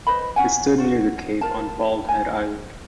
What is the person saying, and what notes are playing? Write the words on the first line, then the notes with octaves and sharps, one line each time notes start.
It stood near the cape on Bald Head Island.
B4 C5 D#5 B5
C#4 F#5 G#5
F4 F#4
F4 A#4 A5
G#5